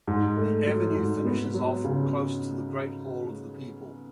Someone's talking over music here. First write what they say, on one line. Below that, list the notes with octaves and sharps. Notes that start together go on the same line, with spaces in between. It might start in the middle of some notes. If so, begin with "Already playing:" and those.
The avenue finishes off close to the Great Hall of the People.
G#2
A3
F#3
G#2
B3
F#3
C#3